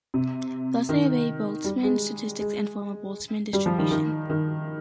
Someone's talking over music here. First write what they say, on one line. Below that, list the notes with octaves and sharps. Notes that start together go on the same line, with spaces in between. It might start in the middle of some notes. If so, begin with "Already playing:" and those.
Thus they obey Boltzmann statistics and form a Boltzmann distribution.
C3
D#3
G3
G#3
G#3
G3
F3
D#3
D#3
D#3